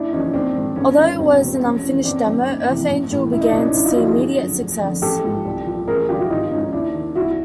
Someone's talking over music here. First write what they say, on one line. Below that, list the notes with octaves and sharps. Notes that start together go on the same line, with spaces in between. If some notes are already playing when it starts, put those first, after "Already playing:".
Although it was an unfinished demo, "Earth Angel" began to see immediate success.
Already playing: F#1 D4 E4
E2 C#3 F3 C#4 D#4
A#1 C4 D4
G#2 D#3
G1 C#4
G2 D#3
E1 C4
E2 B2
C4
F1 C#4
E2 C#3 E3
G1 C4 D4
F#2 D#3
F#1
F2 C3 E3
A1
A2 E3
C#2 E4
D#4
D4
B2 C#4 D#4
F1 D4 E4
D#4 F4
F2 D3 E4 F#4
F#4 G#4
G1
F#2 D3 F3
F1
F2 D3
A1 G4 A4
G#2 F3
C2
A#2 F3
A1 G#4 A#4
G2 D3 F3 F4 G4
E4 F#4
G#1 D#4 F4
G#2 F3 C#4 D#4
D#4
D#2 D4 E4
D#3
C2 E4 F#4